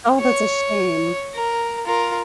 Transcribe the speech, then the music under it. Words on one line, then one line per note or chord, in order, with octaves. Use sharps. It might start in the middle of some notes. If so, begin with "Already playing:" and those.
Oh, that's a shame.
C#5
A#4
F4 A#4